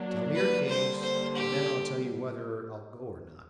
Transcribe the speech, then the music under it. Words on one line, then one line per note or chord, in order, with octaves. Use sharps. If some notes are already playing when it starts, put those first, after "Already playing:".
Tell me your case, and then I'll tell you whether I'll go or not.
Already playing: F#3 A#3 D4
B4
D3 G3 A#3 C5
C5
G4